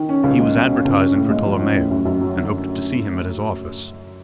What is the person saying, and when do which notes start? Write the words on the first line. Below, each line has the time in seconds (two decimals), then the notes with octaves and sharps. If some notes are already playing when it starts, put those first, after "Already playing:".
He was advertising for Tolomeo, and hoped to see him at his office.
Already playing: D#3
0.09 C#4
0.24 C#2
0.39 G#3
0.54 B2
0.69 C#4
0.85 C#2
1.00 C#4
1.15 A2
1.30 G#3
1.45 F3
1.60 C#4
1.75 A2
1.91 F#2
2.05 F#2
2.21 F#3
2.36 D3